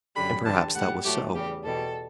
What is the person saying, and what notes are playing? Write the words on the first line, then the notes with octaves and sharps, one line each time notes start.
And perhaps that was so.
F#2 D3 G3 B5
E2 D3 G3 A5
A2 G3 F#5
A2 F#3 A3 G4
E2 C#3 G3 G4
E2 B2 G3 A4